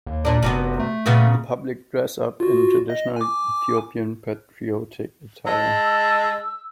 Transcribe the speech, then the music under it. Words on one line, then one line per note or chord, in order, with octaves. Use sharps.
The public dress up in traditional Ethiopian patriotic attire.
D#2
A#2 D4
F1 F#2 C3 B3
A3
A#2 C#3 B3
F4 F#4
D#5
G#5 D6
G#3 A5 E6